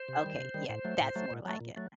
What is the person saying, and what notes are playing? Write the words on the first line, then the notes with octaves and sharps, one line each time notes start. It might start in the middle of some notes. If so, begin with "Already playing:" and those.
Okay, yeah, that's more like it.
Already playing: C5
C3
D#3 G3
C3
D#3 G3
A2 C5
F#3 A3
A2
F#3 A3
A#2
F#3 A3
A#2
F#3 A3